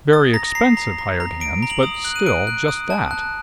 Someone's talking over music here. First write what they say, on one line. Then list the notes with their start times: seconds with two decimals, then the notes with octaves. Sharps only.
Very expensive hired hands, but still just that.
0.13 D#6 A6
0.34 A#5 A#6
0.55 A#5 C7
0.77 A#5
0.98 A#5
1.20 A#5
1.41 A#5 D7
1.62 A#5
1.70 F#7
1.83 D#6 F#7
1.94 F#7
2.05 F#6 F#7
2.16 D#7
2.26 F#6 D7
2.47 F#6
2.68 D#6
2.90 A5
3.11 F#6